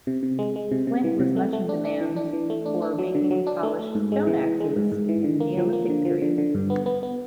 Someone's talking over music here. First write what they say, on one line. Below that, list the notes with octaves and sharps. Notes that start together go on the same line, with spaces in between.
Flint was much in demand for making polished stone axes in the Neolithic period.
C3
C3
G#3
G#3
C3
C3
E3
C3
A3
A3
D4
D4
E3
D4
E3
A3
D4
D4
F#3
D3
F#3
D4
A3
A3
G#2
G#3
E3
E3
G#3
G#2
G#2
E3
D3
A#3
F3
A#3
D3
F3
D3
D3
G2
B3
B3
B3